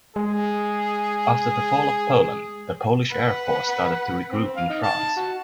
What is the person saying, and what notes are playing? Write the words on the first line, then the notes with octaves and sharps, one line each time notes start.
After the fall of Poland, the Polish Air Force started to regroup in France.
G#3 G#4
B4 F#5
C4
F5
D#4
A5
F#4